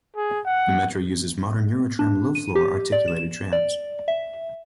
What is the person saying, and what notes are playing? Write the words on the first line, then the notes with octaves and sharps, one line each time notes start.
The Metro uses modern Eurotram low-floor, articulated trams.
G#4
F#5
D4
D#7
G4
D5
E7
D5
E5